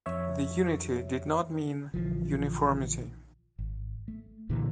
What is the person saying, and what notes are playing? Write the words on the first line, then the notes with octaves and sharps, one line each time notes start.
The unity did not mean uniformity.
F2 C#5 E5
A#1 D3 E3 F3
G#1
A3
C2 A#2 D3 E3